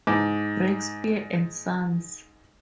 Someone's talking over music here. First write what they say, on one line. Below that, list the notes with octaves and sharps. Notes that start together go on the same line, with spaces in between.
Brakspear and Sons.
G#2 D6